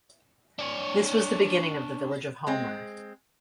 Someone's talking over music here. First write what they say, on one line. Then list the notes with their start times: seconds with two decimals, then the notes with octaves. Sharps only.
This was the beginning of the village of Homer.
0.59 D4 C#5
2.47 G#3 C4